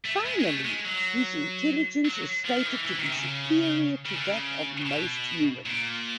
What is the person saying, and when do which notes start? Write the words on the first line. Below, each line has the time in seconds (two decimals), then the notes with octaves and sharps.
Finally, his intelligence is stated to be superior to that of most humans.
0.05 A3
0.26 G#3
0.40 G#3
0.45 A3
0.65 G#3
0.85 F#3
2.05 F#3
2.45 F3
2.56 D#3
2.65 E3
2.86 E3
2.99 D#3
3.07 C3
3.12 C#3
4.06 C#3
4.15 D3
4.26 C#3
4.86 B2
5.66 A#2